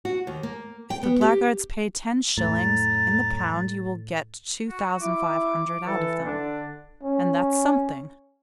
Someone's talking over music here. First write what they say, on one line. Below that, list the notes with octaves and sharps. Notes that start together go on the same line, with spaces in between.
If the blackguards pay ten shillings in the pound you will get two thousand five hundred out of them, and that's something.
F#4
D#2
A#3
G5
B3
G4
F2 A2 F#3 A#5 A6
F#4
E4 D6
E3 A4
D3 D4
C#4